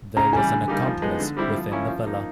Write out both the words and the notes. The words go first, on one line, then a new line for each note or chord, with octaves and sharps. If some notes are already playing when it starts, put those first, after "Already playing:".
There was an accomplice within the villa.
C#3 A#5
E3 G3 G#5
D3
G3 A#3 D#4 G4
F3
G#3 B3 D#4
D3
G3 C4 E4 G4
F3
A#3 C#4 E4
F3
A#3 D#4